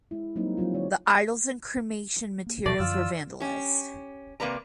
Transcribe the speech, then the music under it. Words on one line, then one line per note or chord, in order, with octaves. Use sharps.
The idols and cremation materials were vandalized.
G#3 E4
F#3 G3 A#3 C4 D#4
F3 F#3 C4 F4
D3 C#5 D5
A#3
D#2 B2 F3 A3 D5
F#2 D3 F3 F4 E6
C#4 G4
C3 A#3 B4 D5 A#5